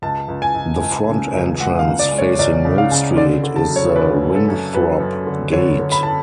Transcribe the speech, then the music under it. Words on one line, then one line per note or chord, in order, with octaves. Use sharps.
The front entrance, facing Mill Street, is the Winthrop Gate.
C#2 A5
C#2
G#5
C#2
C#2
C#3
C#2
G#3 F#5
F5
C#2
D5
G#3
C#5
C#2 D5
C#3
F5
C#3
D3 D5
D3
A5
F#3
C#5
F#2 B4
F#2
A4
F#2
F#3 B4
F#2
D3
D3 C#5
D3
B5
A5